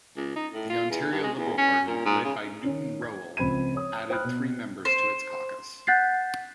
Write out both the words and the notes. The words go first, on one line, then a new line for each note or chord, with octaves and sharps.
The Ontario Liberal Party, led by Newton Rowell, added three members to its caucus.
C#2
D#4
A2
F4
E2
G2
G#3
E2
C#4
A#2
G#2
C#3
D#3 C#4
G#6
C#2 F3 C4 B5 G#6 D#7
C#5 D#6
C5 G5 B5 D#6 F6 F#6
B2
C5
F#5 F#6 G6 A6 B6 C7